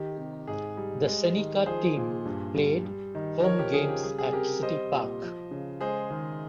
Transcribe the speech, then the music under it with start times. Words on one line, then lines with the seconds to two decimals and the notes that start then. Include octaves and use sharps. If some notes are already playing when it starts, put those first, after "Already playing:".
The Seneca team played home games at City Park.
Already playing: D#3 G4
0.18 C3
0.48 G#2 G#4
0.77 G3
1.07 G#3
1.37 D#3
1.66 F3 G#4 C5
1.96 A#2
2.25 G2
2.55 G3
2.85 G3
3.15 D#3
3.44 F3 A#4 C#5
3.59 G4 A#4
3.73 C#3 G#4
3.89 G4
4.03 G3 G#4
4.19 G#4
4.33 C3 G4 A#4
4.62 G3 C5 D#5
4.93 A#2
5.23 F3
5.51 C#3
5.81 G#3 G#4 C5
6.10 D#3